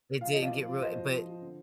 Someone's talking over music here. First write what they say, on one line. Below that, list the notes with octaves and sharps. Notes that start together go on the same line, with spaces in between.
It didn't get real but
F3 F5
F3 D#5
D5 F5
F3
F3
F3 C5 D#5
F3
F3
F3
D3